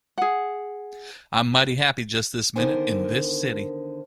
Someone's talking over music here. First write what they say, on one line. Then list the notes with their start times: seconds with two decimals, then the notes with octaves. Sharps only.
I'm mighty happy just this minute, in this city.
0.18 G#4 F#5
2.56 D3 D#3 B3 A#4 C5 G#5